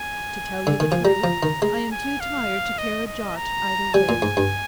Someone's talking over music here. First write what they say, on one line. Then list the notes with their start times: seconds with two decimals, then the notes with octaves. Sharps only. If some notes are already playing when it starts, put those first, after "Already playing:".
'To tell you the truth, I am too tired to care a jot either way.
Already playing: G#5
0.67 D3
0.80 D#3
0.92 F3
1.05 G3 A#5
1.24 F3
1.43 D#3
1.62 G#3 A#5
1.92 G#5
2.20 F5
2.78 D#5
3.07 D#5
3.36 A#5
3.94 G3 G#5
4.09 A#2
4.22 G#2
4.37 G2